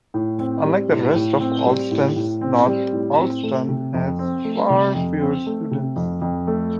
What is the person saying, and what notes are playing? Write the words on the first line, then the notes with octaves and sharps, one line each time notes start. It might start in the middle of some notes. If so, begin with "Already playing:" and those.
Unlike the rest of Allston, North Allston has far fewer students.
A2
C4
G3
A2
A2
C4
G3
A2
A2
C4
G3
A2
C4
A3
C3
F2
C4
A3
C3
F2
C4
A3
C3
F2
F2
A3